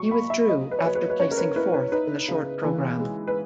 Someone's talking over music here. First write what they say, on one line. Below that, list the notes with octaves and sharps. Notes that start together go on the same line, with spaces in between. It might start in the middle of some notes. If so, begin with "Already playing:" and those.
He withdrew after placing fourth in the short program.
Already playing: B2 F#3 C#6
A#3 B5
E5
F#3 D#5
B4
C#5
F#3 B4
B4
B4
C#4 C#5
A#4
B4
E4 B4
B4
D#4 B4
C#3
E3
G#3
B4